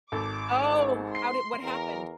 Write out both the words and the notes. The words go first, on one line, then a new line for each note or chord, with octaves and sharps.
Oh, how did what happened?
G#1 A4 D6
G#2
C6 C7
E2 A#4